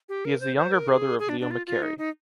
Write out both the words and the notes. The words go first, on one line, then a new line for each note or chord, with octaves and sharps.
He is the younger brother of Leo McCarey.
G4
A#4
C5
C5
A#4
G#4
G#4
D4
D4
F4
F4
D#4
D#4